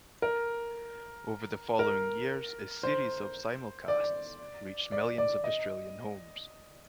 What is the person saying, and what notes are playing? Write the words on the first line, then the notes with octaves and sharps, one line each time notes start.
Over the following years a series of simulcasts reached millions of Australian homes.
A#4
A#4
C5
D5
D5
D5
D#5